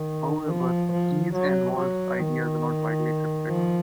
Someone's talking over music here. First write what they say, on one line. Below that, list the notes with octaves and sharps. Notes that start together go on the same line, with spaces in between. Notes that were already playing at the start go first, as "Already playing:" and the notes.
However, Keys and Wohletz' ideas are not widely accepted now.
Already playing: D#3
F3
F3
F#3
F#3
D#3
F3